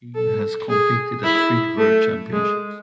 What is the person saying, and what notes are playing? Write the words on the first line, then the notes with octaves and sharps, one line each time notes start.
Keane has competed at three World Championships.
A4
G#4
E4
A3
G#3